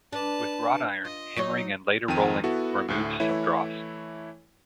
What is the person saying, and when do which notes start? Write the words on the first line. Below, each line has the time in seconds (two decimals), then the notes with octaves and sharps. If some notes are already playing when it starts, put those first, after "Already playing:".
With wrought iron, hammering and later rolling removed some dross.
0.13 D4 B4 A5
1.05 F4 D#5
1.37 F#3 D#4 C#5
2.08 F2 D#3 G5 D#7
2.44 B3 E4 F#4 A4
2.88 D2 A2
3.20 E3 A3 E4 C#5